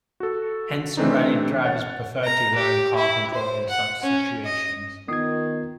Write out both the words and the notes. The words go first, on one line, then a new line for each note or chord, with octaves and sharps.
Hence, rally drivers prefer to learn car control in such situations.
F#4 A4
E3 A3 C4 D4 D#4
C#5 F#5 A6
A#5
G4
E4
C5
F#5
C#4
D#5
D#3 B3 F4 D#6 G#6 C7 D#7